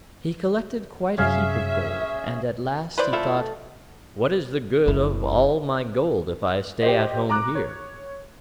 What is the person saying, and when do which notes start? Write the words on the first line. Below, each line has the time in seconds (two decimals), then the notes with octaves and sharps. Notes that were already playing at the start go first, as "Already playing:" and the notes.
He collected quite a heap of gold, and at last he thought: 'What is the good of all my gold if I stay at home here?
1.18 F#2 C3 F#3 C#4 G#4 E5 F5
2.98 E4 B4 C5 D5
3.13 A3 E4 F4 A4
4.86 F#1 E4
6.82 G4 C5 D#5
7.29 A#5 D6 F#6
7.55 C#5